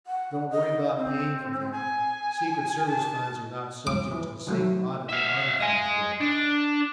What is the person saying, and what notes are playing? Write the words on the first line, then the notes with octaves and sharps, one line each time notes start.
Don't worry about paying for them: secret service funds are not subject to the same audit that army funds get.
F#5
D#5
C4
G#5
A5
D6
E3
D#3 F#3 A3
E5 F5
D#5 G#5
D4